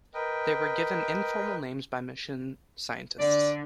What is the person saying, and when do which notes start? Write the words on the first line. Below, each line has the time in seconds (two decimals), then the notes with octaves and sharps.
They were given informal names by mission scientists.
0.14 A#4 B4 D#5 G5
3.19 D3 D5